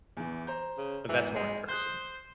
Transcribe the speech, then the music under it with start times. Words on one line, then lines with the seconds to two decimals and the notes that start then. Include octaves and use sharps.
but that's more in person.
0.17 E2 E3
0.47 C5 A#5 G6
0.78 C#3
1.09 G#1 E3
1.36 G#3
1.69 C5 D#6 F#6 G6